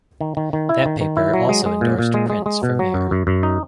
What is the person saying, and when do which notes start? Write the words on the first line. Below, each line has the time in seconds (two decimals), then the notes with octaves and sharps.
That paper also endorsed Prince for mayor.
0.21 D#3
0.37 D#3
0.53 D#3
0.69 E4
0.86 D#3
1.01 D#3
1.17 E4
1.34 F#3
1.49 G#3
1.66 G#3
1.81 A#2
1.99 A#2
2.14 G#3
2.30 G#3
2.46 G#3
2.63 B2
2.79 F#3
2.94 F#2
3.11 F#2
3.27 F#2
3.43 D#4